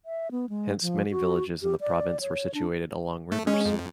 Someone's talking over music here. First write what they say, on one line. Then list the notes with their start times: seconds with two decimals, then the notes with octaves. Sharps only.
Hence many villages in the province were situated along rivers.
0.05 E5
0.31 B3
0.49 G#3
0.82 F3
1.11 F#4
1.63 G4
1.81 D5
2.21 C#5
2.54 D4
3.32 A3
3.47 G#3 C#4
3.65 F2